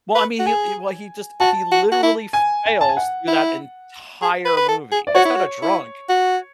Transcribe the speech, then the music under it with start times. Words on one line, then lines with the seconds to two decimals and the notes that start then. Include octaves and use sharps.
Well, I mean, he l he well, he just he literally fails through that entire movie. He's not a drunk,
0.15 B4
0.39 F#4
0.46 G#4 G#5
1.40 F#4 A5
1.71 F#4
1.92 F#4
2.03 E4
2.33 G#5
2.66 G#5
2.81 A5
2.89 G#5
2.97 F#5
3.27 E4
4.22 G#4
4.45 B4
4.57 B4
4.68 A4
4.92 G#4
5.07 D5
5.15 F#4 C#5
5.25 E4
5.35 F#4
5.62 E4
6.09 F#4